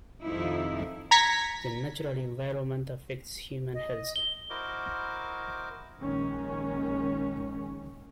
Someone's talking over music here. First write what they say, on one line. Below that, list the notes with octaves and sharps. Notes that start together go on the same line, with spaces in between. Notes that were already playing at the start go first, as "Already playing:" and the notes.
The natural environment affects human health.
F2 C3 D#3 F3 D#4 E4
A#5 G#6 A#6 B6 C#7
D#5
G7
E4 F#4 A#4 C5 D#5 D6
A#1 D#3 G#3 C#4